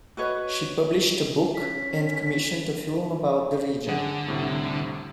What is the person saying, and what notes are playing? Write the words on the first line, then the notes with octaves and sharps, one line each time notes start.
She published a book and commissioned a film about the region.
F#4 B4 C#5 D#5
C#4 B6
D3 G#4 F#5
C2 A2 C3